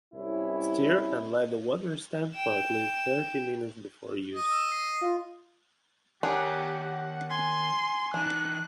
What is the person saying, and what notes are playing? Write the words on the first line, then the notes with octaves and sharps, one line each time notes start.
Stir and let the water stand for at least thirty minutes before use.
C2 F#2 C#4 E4
G5 E7
D#5
E6
C7
F4
D#3 D4 G4 G#4 A#4 C#5 F#5
G#5 C6
E3 D4 D#4 F#6